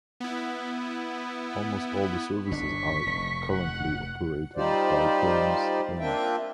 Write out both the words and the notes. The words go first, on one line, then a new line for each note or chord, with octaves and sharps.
Almost all the services are currently operated by Thameslink.
B3 E4
G1 D4 C#6 B6
F1
F#5
G3 D#4 F4 G4 C5 D5
A#3 C4 D4 F4 E5 G5